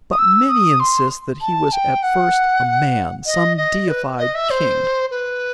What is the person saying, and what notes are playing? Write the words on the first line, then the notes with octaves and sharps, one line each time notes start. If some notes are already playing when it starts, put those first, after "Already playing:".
But many insist that he was at first a man, some deified king.
D#6
E6
D#6
C6
A5
G5
F#5
D#5
D#5
B4
D#5
E5
C5
B4